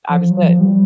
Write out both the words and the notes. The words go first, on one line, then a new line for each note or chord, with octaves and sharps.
I was good.
F3
F3
F#3
E3
F3
G3